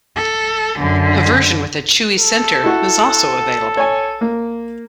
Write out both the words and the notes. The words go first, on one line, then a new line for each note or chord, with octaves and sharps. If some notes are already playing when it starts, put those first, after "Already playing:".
A version with a chewy centre is also available.
A4
F#2 D3
A4
E4 F#4
C#5 G#5
A#3